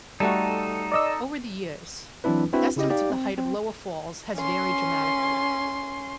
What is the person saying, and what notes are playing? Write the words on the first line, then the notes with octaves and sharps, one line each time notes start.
Over the years the estimates of the height of Lower Falls has varied dramatically.
G3 A3 D#4 F#4 A4
D5 D#5 E6
E3 F#3 C4 D4 E4 B4
C4 D4 E4 F#4 B4
C#3 E4 G4 D#5
D#4 G4 D5 F5
C4
C4
C#4 C6